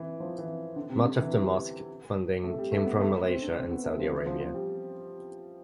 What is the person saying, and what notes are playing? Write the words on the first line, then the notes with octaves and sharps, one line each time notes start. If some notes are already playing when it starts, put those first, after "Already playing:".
Much of the mosque funding came from Malaysia and Saudi Arabia.
Already playing: E3
F3
E3
D3
C3
D3
E3
G3
A3
G3
A3
B3
A3
C4
D4
C4
B3
A3
G3
F3
E3
F3
F3
G3